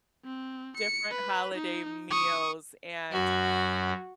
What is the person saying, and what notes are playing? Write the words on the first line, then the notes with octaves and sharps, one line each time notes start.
different holiday meals, and
C4
C#7
B4
D#4
C#6 D#6
F#2 F#4